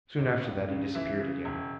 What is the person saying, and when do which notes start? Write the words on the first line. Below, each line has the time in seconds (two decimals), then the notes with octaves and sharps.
Soon after that he disappeared again.
0.18 A1
0.44 C#2
0.68 C#3
0.95 E3 E5
1.20 C#3
1.45 E1